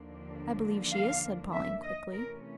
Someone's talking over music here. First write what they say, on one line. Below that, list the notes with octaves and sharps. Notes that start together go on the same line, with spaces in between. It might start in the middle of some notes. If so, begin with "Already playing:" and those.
"I believe she is," said Pauline quickly.
Already playing: D#2 D3 F3 A#3 D4
F5
E5
D#5
C3 E3 A3 C#4 A#4